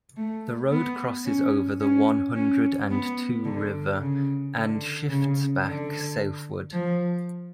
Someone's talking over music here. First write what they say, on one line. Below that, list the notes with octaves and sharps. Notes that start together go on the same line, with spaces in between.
The road crosses over the One Hundred and Two River and shifts back southward.
A3
B3
C#4
C#4
C#4
B3
D3
C#3
D3
C#3
D3
F3